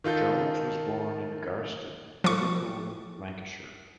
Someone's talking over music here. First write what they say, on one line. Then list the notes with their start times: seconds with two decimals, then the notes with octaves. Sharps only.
Jones was born in Garston, Liverpool, Lancashire.
0.04 D#3 F4 A4 G6
2.24 F3 C#6